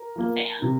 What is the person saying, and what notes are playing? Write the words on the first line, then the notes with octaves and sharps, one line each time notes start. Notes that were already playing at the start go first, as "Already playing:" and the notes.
a fan.
Already playing: A#4
F3 A#3
C3